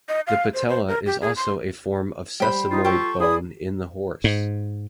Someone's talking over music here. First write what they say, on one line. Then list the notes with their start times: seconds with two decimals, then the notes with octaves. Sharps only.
The patella is also a form of sesamoid bone in the horse.
0.09 D#5
0.27 F5
0.54 C5
0.69 C5
0.88 A#4
1.06 G4
1.21 G#4
1.36 C6
2.40 G3 C5 G5 B5
2.71 D#4 F4
2.85 G4 A4 C#6
3.20 E4 G#4 D5 D#6
4.24 G#2